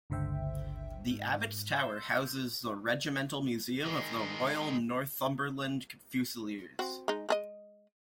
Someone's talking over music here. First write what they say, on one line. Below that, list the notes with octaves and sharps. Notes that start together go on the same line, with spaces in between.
The Abbot's Tower houses the Regimental Museum of the Royal Northumberland Fusiliers.
G1 C#2 D3 C5 E5 G5
G#2
C6 E6 G6
D#3 G#3
C4 F#4
G#3 D#4
G#3 G#4 D#5